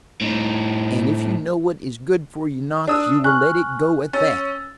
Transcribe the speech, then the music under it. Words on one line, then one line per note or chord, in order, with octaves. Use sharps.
And if you know what is good for you, Knox, you will let it go at that.
A2 D#4
D4 D#6 E6
G#5 C#6 F6 F#6
C#4 E6 A6